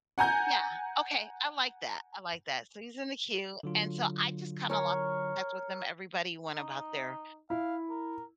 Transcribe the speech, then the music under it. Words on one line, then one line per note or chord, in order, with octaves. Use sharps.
Yeah, okay. I like that, I like that, so he's in the queue and so, I just kinda lost touch with him, everybody went about their
F#5 G#5 A#5 G6
D3 F#3 F4
A#4 C#5
D#4
E4 F5
A#4